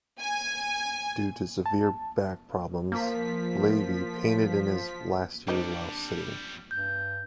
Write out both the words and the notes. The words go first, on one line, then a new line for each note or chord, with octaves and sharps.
Due to severe back problems, Lavie painted in his last years while sitting.
G#5
A5
F3 A#3 B6
F2 G3 D4 A#4 C5 D#5
G2 G6